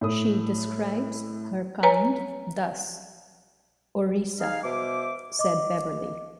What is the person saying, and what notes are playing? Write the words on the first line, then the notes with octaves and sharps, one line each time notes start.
She describes her kind thus: "Orisa," said Beverley.
A2 A4 D#6
B4 C#5 G#5 A#5
D#4 G#4 F5
B2 C5 E5 D6
D#5 D6